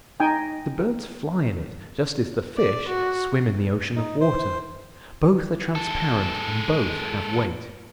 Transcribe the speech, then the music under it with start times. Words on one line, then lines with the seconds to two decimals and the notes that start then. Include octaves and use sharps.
The birds fly in it just as the fish swim in the ocean of water. Both are transparent and both have weight.
0.20 D#4 G5 G#5
2.57 D5
2.89 F#4
3.96 D#4
4.20 C5
5.75 G#3 A4